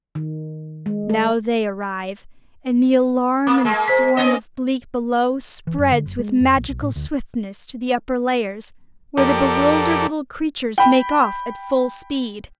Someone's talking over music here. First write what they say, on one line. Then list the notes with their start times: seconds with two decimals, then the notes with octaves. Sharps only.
Now they arrive, and the alarm in the swarm of bleak below spreads with magical swiftness to the upper layers, where the bewildered little creatures make off at full speed.
0.15 D#3
0.86 G#3
1.10 A4
3.47 A#3 D6
3.64 G#3 A#3
3.88 C5 B6
4.17 B3 D#5
5.67 E3
5.78 F#2
5.91 D3
6.06 F#1
6.19 G#3
6.40 F2
6.56 A#1
6.70 B1
6.82 A2
6.96 D2
9.18 F2 G4 A4 A#4 D5
10.78 G5 B5